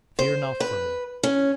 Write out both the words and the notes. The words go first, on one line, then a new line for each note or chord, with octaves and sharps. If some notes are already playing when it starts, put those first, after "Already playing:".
Fear not for me.
C5
B4
C#4